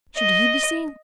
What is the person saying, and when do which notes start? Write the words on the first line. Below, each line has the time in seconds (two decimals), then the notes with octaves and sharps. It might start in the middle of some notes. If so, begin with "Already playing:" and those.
Should he be seen?
0.17 D#5